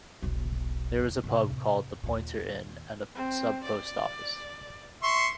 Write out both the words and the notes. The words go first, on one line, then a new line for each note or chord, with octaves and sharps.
There is a pub called "The Pointer Inn" and a sub-post office.
E1 B1
E2 C#3
A2 C3
D#2 A#2
C4
D5
E5 C6 C#6